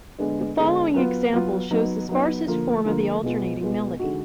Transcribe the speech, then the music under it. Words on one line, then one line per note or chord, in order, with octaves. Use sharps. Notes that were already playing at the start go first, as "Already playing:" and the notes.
The following example shows the sparsest form of the alternating melody.
D3 G#3 B3 D4
D3 G#3 B3 D4
F#3 B3 F4
F#3 B3 F4
F#3 B3 D#4
F#3 B3 D#4
D3 F3 A#3 F4
D3 F3 A#3 F4
B2 G#3 B3 F4
B2 G#3 B3 F4
D3 G#3 D#4 F#4